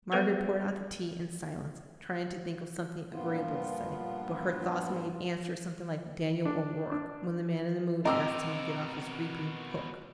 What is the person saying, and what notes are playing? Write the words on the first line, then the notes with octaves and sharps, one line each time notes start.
Margaret poured out the tea in silence, trying to think of something agreeable to say; but her thoughts made answer something like Daniel O'Rourke, when the man-in-the-moon asked him to get off his reaping-hook.
F#3 G3 B3 A4 B4 C5
G2 A#2 F3 B3 F4
D4
D4
B2 C4 A#4 D#5 G5 A#5 D6 E6